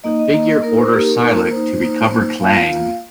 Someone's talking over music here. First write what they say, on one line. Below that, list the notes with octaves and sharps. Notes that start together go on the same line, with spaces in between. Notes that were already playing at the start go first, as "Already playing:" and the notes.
The figure orders Silik to recover Klaang.
A#3 D#4 D#5
D#5
A#3 D#4
A#3 D#4 A#4
C5
A#4
A#3 D#4 G4 A#4
A#3 D#4
A#3 D#4 C5
A#3 D#4
A#3 D#4
A#3 F4 F5
A#3 F4